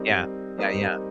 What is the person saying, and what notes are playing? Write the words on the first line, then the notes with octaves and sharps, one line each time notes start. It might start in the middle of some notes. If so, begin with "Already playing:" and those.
Yeah. Yeah, yeah.
Already playing: G3 C4 D#4 A#4
G3 C4 D#4 A#4